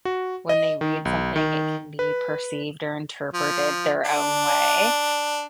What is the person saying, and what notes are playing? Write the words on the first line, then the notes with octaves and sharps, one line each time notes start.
when they read something it can be perceived or interpreted their own way.
F#4
D#5
D#3
B1
D#3
B4
F3
D4